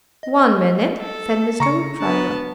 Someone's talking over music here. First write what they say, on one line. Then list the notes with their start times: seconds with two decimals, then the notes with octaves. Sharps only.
"One minute!" said Mr. Hoopdriver.
0.23 D#5
0.98 A4
1.60 C#3 A#5 C#6 C#7
2.01 B3 D4 A5